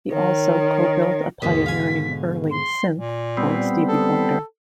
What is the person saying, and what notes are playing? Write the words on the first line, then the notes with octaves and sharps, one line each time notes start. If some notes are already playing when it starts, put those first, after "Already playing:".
He also co-built a pioneering early synth for Stevie Wonder.
D#3 C#5
D#2 G#2 B2 D3 B6
F5 G#5
C6
A#2
G3 B3 C4
A4